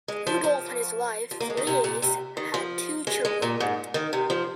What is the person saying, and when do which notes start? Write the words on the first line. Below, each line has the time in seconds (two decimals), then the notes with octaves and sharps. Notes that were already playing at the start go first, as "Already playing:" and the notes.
Rudolf and his wife Liese had two children.
0.08 G#3
0.27 F3
0.44 F3
1.31 F3
1.40 A#3
1.50 G#3
1.57 D#3
1.67 C3
1.84 A#2
2.02 C3
2.37 D#3
2.54 F3
3.07 G#3
3.25 G#3
3.42 A#2
3.60 G#2
3.94 D#3
4.13 C3
4.30 F3